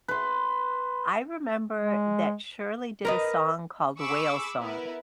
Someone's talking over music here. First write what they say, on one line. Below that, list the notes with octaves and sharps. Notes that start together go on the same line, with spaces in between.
I remember that Shirley did a song called Whale Song,
B4 C6
G#3
A#4 B4 D#5
G#4 B5 C#6 D6 E6
B3 E4 A#4 B4